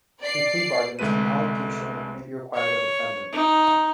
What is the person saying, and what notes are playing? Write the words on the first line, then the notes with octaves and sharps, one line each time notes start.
In plea bargains, an allocution may be required of the defendant.
D5 C7
C2 D3 G#3 A3 B4 D#7
C#5
D#4